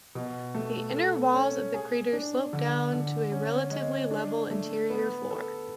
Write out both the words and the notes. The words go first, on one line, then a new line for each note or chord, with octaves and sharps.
The inner walls of the crater slope down to a relatively level interior floor.
B2
A3
A4
C#4
G#4
D4
D3
D3
C#4
G#3
D4
A3
B3
A4